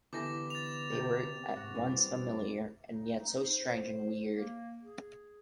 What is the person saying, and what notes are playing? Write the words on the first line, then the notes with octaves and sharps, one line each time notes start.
They were at once familiar and yet so strange and weird.
D3 E3 B3 G4 A4 D6 A#6
A6 F7
C3 G5
G#2 F#4
E3 G3 D4 C5
D#4
D#4
C5
A#3
G#4